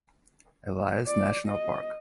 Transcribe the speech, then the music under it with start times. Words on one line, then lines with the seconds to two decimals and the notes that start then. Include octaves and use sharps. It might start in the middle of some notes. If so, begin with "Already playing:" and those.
Elias National Park.
1.06 D5
1.48 D#5